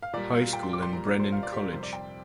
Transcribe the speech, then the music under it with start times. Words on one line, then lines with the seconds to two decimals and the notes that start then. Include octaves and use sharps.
High School and Brennen College.
0.03 F5
0.13 A#2 G3 D5
0.34 F5
0.53 G5
0.63 C6
0.73 D6
0.82 C6
0.93 A#2 G3 A#5
1.07 D5
1.20 C5
1.32 F5
1.43 D5
1.52 G4
1.62 A#4
1.73 F2 C3 G3 C5
1.83 D5
1.93 G5